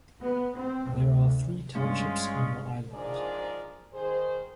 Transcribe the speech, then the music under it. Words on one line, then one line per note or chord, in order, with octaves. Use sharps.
There are three townships on the island.
B3
C4
D2
G2 G#3 C#4 F4
G#2 F3 D4 G#4 A#4 D5
D#3 G#4 C5